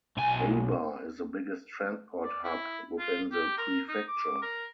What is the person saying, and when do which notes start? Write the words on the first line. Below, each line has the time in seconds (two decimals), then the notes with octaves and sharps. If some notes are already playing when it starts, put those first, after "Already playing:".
Aba is the biggest transport hub within the prefecture.
0.17 B1 G#5
2.23 D5
2.44 E4
2.99 F4
3.32 G4
3.58 A#4
3.88 D#4
4.08 D6
4.42 A#4